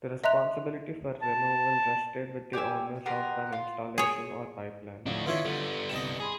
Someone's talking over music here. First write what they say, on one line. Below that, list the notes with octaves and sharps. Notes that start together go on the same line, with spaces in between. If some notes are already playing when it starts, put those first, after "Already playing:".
The responsibility for removal rested with the owners of an installation or pipeline.
D#5 E5 A#5 C6 F#6 F7
A5
G4 D5 G#5 E6
B3 G4 A#4 C6
F4
G#4 C#5
A2 D3 F3 D4 F#4
D#3 B3 E4 F4 C#5 F5
D3 G3 B3
C2 D#5 G5 E7
G#4 G#5 B5 C6